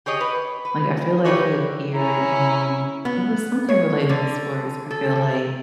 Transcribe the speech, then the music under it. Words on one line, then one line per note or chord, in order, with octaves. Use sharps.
Like, I feel like, he appeared on it was something relating to sports, I feel like
G4 G#4 C#5 D#5
B4
B4
E4 G4 A#4 B4 C#5 D5
C#4 E4 A#5
B3
C#5
D3
A4